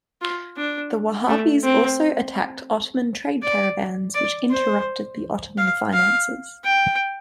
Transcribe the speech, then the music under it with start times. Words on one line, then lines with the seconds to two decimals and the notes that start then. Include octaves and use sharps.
The Wahhabis also attacked Ottoman trade caravans which interrupted the Ottoman finances.
0.21 F4
0.57 D4
1.28 A3
1.64 C4
3.43 D5
4.15 D5
4.51 C5
5.58 F5
5.94 F5
6.65 G5